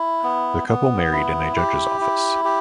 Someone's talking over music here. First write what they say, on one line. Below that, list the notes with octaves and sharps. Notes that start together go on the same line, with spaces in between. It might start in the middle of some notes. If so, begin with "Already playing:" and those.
The couple married in a judge's office.
Already playing: E4
B3
B3
E4
G4
E4
G4